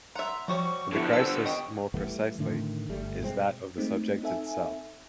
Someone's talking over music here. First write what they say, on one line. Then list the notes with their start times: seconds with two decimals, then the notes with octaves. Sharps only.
The crisis, more precisely, is that of the subject itself.
0.15 E5 F#5 A#5 C6
0.48 F3 G3 F#4 C#5 C#6
0.93 D3 B3 E4
1.13 A4 C5 E6
1.46 D#5 G5 C#6
1.94 E3 G3 A3 B3
2.39 A2 D3 D#3 A3
2.89 G1 G3 A3
3.21 B2 G#3 C4
3.78 G#3 A3 C4 D#4
4.22 C4 D#4 A4 E5 G#5